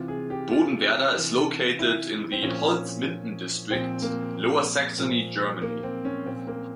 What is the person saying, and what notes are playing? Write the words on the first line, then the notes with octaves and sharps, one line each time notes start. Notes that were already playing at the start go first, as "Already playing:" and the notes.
Bodenwerder is located in the Holzminden district, Lower Saxony, Germany.
Already playing: C3 E3 F4
G#4
G4
F4
C3 E3
E4
C4
A#2 F3 C#4
A#2 F3 C4
A#3
A#2 F3
A#3
C4
C#4
A#2 F3 C4
A#3